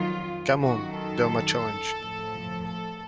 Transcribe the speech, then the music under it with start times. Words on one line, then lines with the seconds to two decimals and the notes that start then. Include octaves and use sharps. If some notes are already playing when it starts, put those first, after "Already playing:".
Come on, Del Mar challenged.
Already playing: F2 D#3 F#3 F4
0.61 F#2 D#3 F#3 F#4
0.95 A4
1.97 A2 F3
2.66 A4